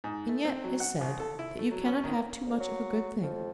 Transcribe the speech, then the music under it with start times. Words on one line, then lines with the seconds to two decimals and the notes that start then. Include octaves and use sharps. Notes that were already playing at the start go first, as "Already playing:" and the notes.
And yet is said that you cannot have too much of a good thing.
0.04 G#2
0.29 A3
0.45 C4
0.64 F#3
0.80 F#5
1.01 C2
1.20 A4
1.39 E4
1.59 A3
1.71 F#3
1.86 C#4
2.04 D#3
2.45 D2
2.59 F#3
3.22 F2